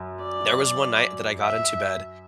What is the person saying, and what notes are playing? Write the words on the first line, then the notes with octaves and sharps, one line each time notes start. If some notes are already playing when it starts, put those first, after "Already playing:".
There was one night that I got into bed,
Already playing: F#2
D5
E5